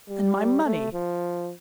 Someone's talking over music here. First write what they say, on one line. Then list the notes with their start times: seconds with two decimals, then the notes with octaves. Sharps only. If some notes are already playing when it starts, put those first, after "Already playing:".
And my money!
0.09 G3
0.65 A3
0.93 F3